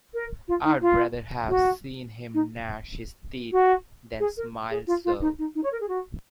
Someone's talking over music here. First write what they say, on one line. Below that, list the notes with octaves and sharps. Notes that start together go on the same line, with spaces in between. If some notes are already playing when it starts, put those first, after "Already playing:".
I’d rather have seen him gnash his teeth than smile so.
A#4
F4
D#4
F4
F#4
D#4
F#4
G#4
A#4
G#4
F4
F4
D#4
D#4
D#4
C#5
A#4
G#4
F#4